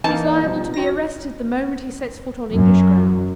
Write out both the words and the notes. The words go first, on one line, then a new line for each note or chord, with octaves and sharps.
He's liable to be arrested the moment he sets foot on English ground.
E3 A#3 D#4 A5
D5
B2 F3 G3
C4 F#4 A#6
F#2